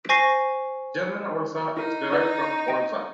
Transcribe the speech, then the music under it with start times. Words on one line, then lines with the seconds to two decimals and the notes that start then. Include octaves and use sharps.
German "Olsa" is derived from "Olza".
0.09 C5 G#5 C#6 A#6 C7
1.77 D#4 E4 A#4
2.12 E4 B4 D5
2.68 D#5 G5